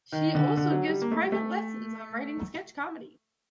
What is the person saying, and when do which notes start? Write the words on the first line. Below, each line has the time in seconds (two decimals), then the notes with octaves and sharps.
She also gives private lessons on writing sketch comedy.
0.12 D#3
0.35 D3
0.57 D3
0.72 F#3
0.87 G3
1.02 A#3
1.11 A3
1.22 G3
1.32 A3